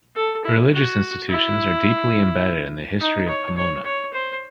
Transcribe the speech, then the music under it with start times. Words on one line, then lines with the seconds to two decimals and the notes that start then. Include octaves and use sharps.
Religious institutions are deeply embedded in the history of Pomona.
0.16 A4
0.45 E4
0.73 F#4
1.29 E4
3.00 D#4
3.28 C#5
3.57 C#5
3.85 C#5
4.13 C5